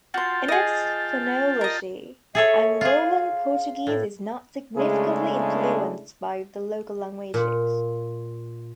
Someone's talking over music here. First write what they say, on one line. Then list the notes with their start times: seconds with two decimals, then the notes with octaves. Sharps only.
In its phonology, Angolan Portuguese is not significantly influenced by the local languages.
0.14 F4 F#4 G5 A5 C6
0.48 G#4 D#5
1.61 A#4 D#5
2.35 G#4 A4 C#5 E5
2.81 F4 G#4
3.03 F5
3.87 A2
4.76 C#3 G#3 A3 D4 E4 G#4
7.34 A#2